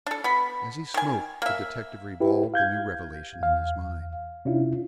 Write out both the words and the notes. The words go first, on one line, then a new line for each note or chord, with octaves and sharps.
As he smoked the detective revolved the new revelation in his mind.
D4 A4
B3 B5
D#3 G#5
A#3 E5
E4 G4 B4
F5 G6 G#6
E2 F5
C3 C#4 D4 E4 F4